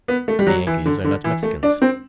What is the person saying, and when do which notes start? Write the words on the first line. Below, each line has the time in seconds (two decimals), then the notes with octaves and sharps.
The Yankees are not Mexicans.
0.08 B3
0.28 A3
0.39 G3
0.47 F#3
0.67 E3
0.85 D3
1.04 D3
1.24 E3
1.43 A3
1.63 D4
1.82 C4